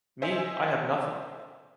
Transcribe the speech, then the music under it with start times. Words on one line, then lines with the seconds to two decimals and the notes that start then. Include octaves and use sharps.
Me, I have nothing!
0.22 C5 D#5 E5 G#5